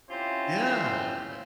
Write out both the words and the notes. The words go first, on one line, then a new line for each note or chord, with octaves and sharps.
Yeah, a
C4 C#4 E4 F4 G4 C5